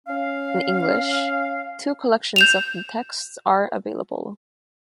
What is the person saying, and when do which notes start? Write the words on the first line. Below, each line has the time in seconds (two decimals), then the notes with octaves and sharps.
In English, two collections of the texts are available.
0.07 C#4 F5
2.36 G6 E7 F7